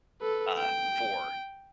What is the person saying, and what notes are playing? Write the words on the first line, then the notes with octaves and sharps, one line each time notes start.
uh, for
A4 B4
G5